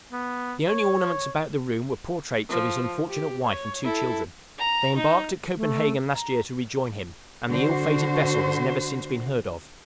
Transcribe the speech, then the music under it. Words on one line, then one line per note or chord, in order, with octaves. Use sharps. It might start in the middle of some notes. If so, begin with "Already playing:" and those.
The only ornaments about the room were portraits of his unfortunate wife and two children: they embarked at Copenhagen last year to rejoin him, and the ill-fated vessel has never since been heard of.
B3
C#5
F3
G4
C#5
E4 A4
A#5
D#4
A3
A#5
D3 F#4 C5